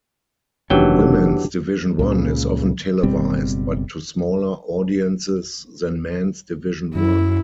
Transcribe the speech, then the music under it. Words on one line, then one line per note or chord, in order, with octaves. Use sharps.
Women's Division One is often televised, but to smaller audiences than Men's Division One.
F1 D#2 E3 F#3 C#4 D4 G4 G5
C#2 A#2 C#3
F#1 B2 G3 C4
F#2 E4